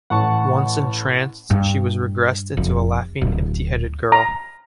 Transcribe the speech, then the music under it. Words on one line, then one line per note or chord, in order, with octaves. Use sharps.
Once entranced she was regressed into a laughing, empty-headed girl.
A1 A2 F#5 A5 C#6
G2
F1
D1
A#5